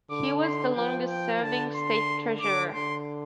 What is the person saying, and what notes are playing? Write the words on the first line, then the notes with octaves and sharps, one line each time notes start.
He was the longest-serving state treasurer.
D3 D6
C6
F3 G5
G5
D3 A5
C6
D3 D6
D3 C6